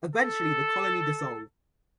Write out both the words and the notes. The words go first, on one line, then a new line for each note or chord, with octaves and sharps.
Eventually the Colony dissolved.
A4